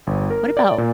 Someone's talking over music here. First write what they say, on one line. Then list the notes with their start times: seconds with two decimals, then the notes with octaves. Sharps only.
what about,
0.07 G1
0.30 A#4
0.57 D5
0.78 A#2